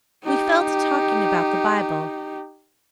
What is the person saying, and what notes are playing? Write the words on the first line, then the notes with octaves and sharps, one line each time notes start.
We fell to talking about the Bible.
D#4 G4